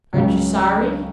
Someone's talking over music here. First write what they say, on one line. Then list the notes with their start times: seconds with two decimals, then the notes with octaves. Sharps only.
"Aren't you sorry?"
0.13 C#2 C#3 F#3